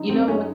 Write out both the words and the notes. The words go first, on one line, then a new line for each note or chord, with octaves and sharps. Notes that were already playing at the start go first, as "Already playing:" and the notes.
You know what
Already playing: F#2 C#3 F#3 D#4
C4
C#4